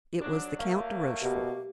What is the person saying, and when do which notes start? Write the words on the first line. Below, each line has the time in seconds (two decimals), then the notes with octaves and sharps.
It was the Count de Rochefort.
0.22 G#2 F#3 D4
0.59 F#3 A3 A#3 F5
1.22 B2 G4